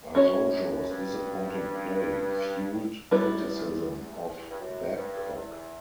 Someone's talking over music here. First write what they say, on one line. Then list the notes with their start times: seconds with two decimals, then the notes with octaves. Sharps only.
Araujo's disappointing play fuelled criticism of Babcock.
0.14 F#2 C#4 F#4 C#5
0.52 F#2
0.89 G2
3.11 F#2 G3 B3 E4 B4
3.48 E2
3.85 E2
4.50 G2
4.60 F#2
4.96 G2
5.34 E2